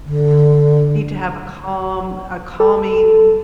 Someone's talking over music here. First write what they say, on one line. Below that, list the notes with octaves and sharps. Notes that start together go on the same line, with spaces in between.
You need to have a calm a calming
D3
A4